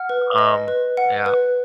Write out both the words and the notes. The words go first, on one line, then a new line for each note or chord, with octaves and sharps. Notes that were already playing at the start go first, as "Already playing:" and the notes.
um yeah,
Already playing: F#5 F6
B4
D#5
B4
F#5
B4